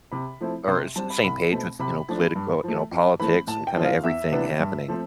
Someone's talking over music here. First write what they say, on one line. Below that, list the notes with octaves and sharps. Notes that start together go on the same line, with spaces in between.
or s same page with, you know, political you know, politics and kinda everything happening.
C3 B5
F3 A3 C4 E4
C3 C6
G3 C4 A5
B5
C2 B5
B2 A3 C4
C3 B5
F3 A3 D4
G2
F3 A3
F2
E3 A3 C4 B5
A2 A5
G5
F3 C4 E4
F5
E2 E5
C3 E3 B3 D4
G2
F3 A3 C4